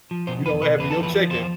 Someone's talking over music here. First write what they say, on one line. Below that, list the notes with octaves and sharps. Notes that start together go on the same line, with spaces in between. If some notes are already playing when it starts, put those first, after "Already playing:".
you don't have in you're checking,
F3
B2 C5
E2 B4
B2 B4
E2 B4
A4
F3
B4
F3
E2 C5